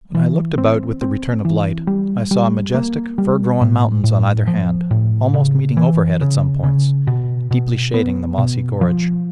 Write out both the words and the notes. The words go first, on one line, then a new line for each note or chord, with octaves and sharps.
When I looked about with the return of light I saw majestic fir-grown mountains on either hand, almost meeting overhead at some points, deeply shading the mossy gorge.
E3
C4
C4
E3
G3
G3
A#3
G3
A2
A2
F3
A2
C#3
E3
C#3
C#3
B2
B2
B3
B2
F3